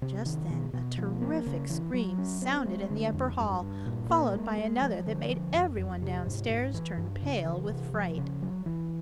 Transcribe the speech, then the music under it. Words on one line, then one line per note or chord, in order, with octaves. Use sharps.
Just then a terrific scream sounded in the upper hall, followed by another that made every one down-stairs turn pale with fright.
C3
D#3
B2
B2
F3
A#3
C#3
E3
F#3
C#4
C4
G#3
D3
F2
G2
G2
A#2
A#3
G#3
G#3
F3
D3
F3
F#2
F2
C3
G#2
G#2
E3
G2
C#3
E3
C3
F3
C#3
F#3
E3